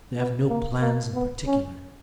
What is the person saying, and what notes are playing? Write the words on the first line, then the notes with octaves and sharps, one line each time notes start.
They have no plans in particular....
B3
A#3
A#3
B3
C#4